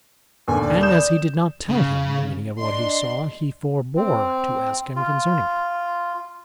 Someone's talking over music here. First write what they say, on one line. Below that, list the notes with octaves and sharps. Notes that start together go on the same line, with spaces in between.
And as he did not tell him the meaning of what he saw, he forebore to ask him concerning it.
D#2 A#2 D3 G#5
D5
D#6 G6 E7
C#3
D4 D#5 C6
C4
F4